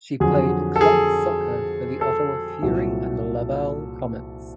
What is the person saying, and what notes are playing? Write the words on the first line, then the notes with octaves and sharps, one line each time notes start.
She played club soccer for the Ottawa Fury and Laval Comets.
F2 D3 F#3 G#4
A4
G#4
A4
C2 A#2 F#3